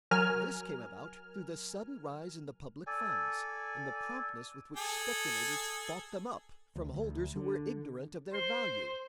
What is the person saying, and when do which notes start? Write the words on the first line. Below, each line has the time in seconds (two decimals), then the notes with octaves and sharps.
This came about through the sudden rise in the public funds, and the promptness with which speculators bought them up from holders who were ignorant of their value.
0.11 F#3 A#4 G#5 F6
2.87 A4 D5 G#5
4.77 G#4 A4
6.76 D2
6.94 D2
7.36 D3
8.34 C5 C6